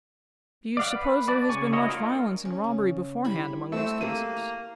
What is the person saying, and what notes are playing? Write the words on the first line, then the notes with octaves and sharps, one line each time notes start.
'Do you suppose there has been much violence and robbery, beforehand, among these cases?'
D5 F5 F#5
B4
F#4 D5 A5
C#3 G#5 C#6
E4 F#4 C#5 D#5
A#3 D4 D#4 F4 A#4
C#4
C#3
G3 E4 B5
A3 C4 E6
A3 A#3 F#4 G4 D#7
A#5